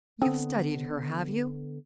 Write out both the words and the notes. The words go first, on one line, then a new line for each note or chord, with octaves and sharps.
You've studied her, have you?
D3 B3 C4 A4 D#6